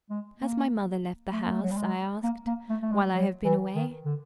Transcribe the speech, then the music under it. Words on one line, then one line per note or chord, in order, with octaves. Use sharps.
"Has my mother left the house," I asked, "while I have been away?"
G#3
A#3
A3
A#3
A3
F#3
G3
G#3
A#3
A#3
A3
A3
G#3
F#3
E3
D#3
D3